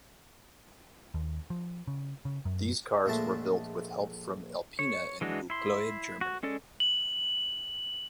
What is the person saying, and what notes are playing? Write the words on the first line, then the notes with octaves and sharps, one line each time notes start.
These cars were built with help from Alpina in Buchloe, Germany.
D#2
F3
C#3
C#3
F#2
A#1 G#3 A3 A5
C#5
E3 G#3 D4 F#4
E4 C6
F#4
G#3 C#4 A4 D5
F#7